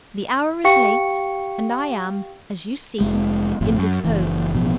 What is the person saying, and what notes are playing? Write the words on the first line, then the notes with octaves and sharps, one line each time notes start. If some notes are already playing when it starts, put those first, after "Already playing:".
The hour is late, and I am--as you see--indisposed.
G4 F5 G5 C#6 C#7
F1 G#3
G1 F2 A2
F#2
F#1 E3
A1 B2 D#3 F3